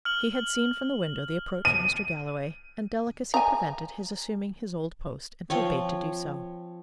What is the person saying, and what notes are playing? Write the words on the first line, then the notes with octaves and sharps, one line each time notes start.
He had seen from the window the approach of Mr. Galloway, and delicacy prevented his assuming his old post until bade to do so.
F6 F#7
D#7
G#5 A#5
F3 C4 C#5